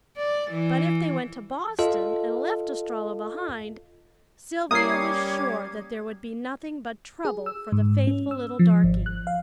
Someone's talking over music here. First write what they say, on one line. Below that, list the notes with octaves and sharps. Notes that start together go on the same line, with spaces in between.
But if they went to Boston and left Estralla behind Sylvia was sure that there would be nothing but trouble for the faithful little darky.
D5
E3
F4 A4 D#5 F5
G3 A#3 C#4 A#4 D6 D#6 G#6 C7
G#4
E6
G#2
C#4
E6
F3
G#1
F#6
F5